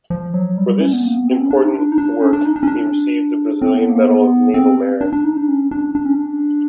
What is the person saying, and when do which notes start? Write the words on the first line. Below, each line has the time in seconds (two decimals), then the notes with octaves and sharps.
For this important work he received the Brazilian Medal of Naval Merit.
0.10 F3
0.34 F#3
0.58 G3
0.80 C#4
0.93 B3
1.04 A#3
1.16 B3
1.28 C4
1.40 C#4
1.51 D4
1.63 D#4
1.74 D4
1.92 D#4
1.98 D4
2.21 C#4
2.33 D4
2.45 D#4
2.56 D4
2.63 C#4
2.67 D4
3.62 C4
3.75 B3
3.89 A#3
4.03 B3
4.54 C4
5.01 D4
5.13 D4
5.24 D#4
5.37 D4
5.48 C#4
5.71 D4
5.95 D4
6.05 C#4
6.15 D4